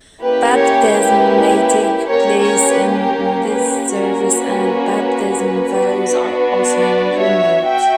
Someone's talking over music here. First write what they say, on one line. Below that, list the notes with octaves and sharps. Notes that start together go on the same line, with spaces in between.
Baptisms may take place in this service and Baptism vows are often renewed.
A#3 C#4 E4 G4 B4
A#4 C#5
B4
A#3 C#4 G4 A#4 C#5
A#4 C#5
B4
A#4
B4
A#3 C#4 F#4 A#4
B4
B3 D4 F#4
B4 D5
C#5 E5
F#4 E5 G5